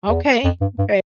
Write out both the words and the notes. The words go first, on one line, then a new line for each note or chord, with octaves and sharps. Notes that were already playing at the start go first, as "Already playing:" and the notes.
Okay, okay.
E2
F2
G2
G2